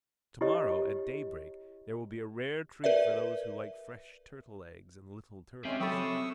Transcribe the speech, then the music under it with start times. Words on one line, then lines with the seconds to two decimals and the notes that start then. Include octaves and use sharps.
"Tomorrow, at daybreak, there will be a rare treat for those who like fresh turtle eggs and little turtles!"
0.41 E4 G4 C#5 D#5
2.84 A#4 B4 D5 E5
5.65 D#3 G#3 C4 C#4 E5
5.80 F#3 A4 C#5 G5 B5 C#6 D#6 E6